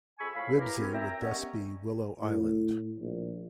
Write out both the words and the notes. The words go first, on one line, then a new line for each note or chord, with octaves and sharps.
Wibsey would thus be "willow island".
F2 G#4 G#5 B5 C#6 E6
F2 A2 F5 B5
E2 E3 E4 G4 A#4
F#2 C4 C#4
E5 G5 A#5
D#3 G3 B3 C#4
A2
A#1